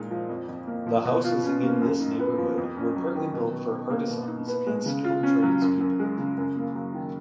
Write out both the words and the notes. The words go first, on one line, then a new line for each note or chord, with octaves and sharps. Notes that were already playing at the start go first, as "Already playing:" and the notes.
The houses in this neighborhood were partly built for artisans and skilled tradespeople.
Already playing: A#2 G#3 D#4
F3
F2
F2
A#3
F3
B2
F4
C#4
A#3
F#2
D#4
B3
F3
F2
C#4
F#3
D#3
B2
B2
D#4
A#3
B2
D#4
B3
G#3
C#3
F4
C#4
F#3
F#2
F#2
G#3
C#3
F#2
A#3
F#3
D#3